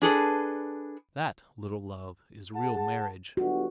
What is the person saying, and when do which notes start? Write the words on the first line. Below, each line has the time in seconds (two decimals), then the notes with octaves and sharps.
That, little Love, is real marriage.
0.02 D4 G#4 A4 B4
2.55 G#4 F#5 A5
3.37 G1 F#4